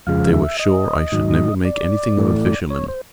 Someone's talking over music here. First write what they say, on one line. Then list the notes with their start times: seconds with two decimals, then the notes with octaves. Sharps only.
But they were sure I should never make anything of a fisherman.
0.07 F2 C#3 F3 G#3 F5
0.33 E5
0.59 D#5
1.12 G#2 D#3 F#3
1.65 D5
2.18 A2 E3 A3
2.70 C#5
2.88 C5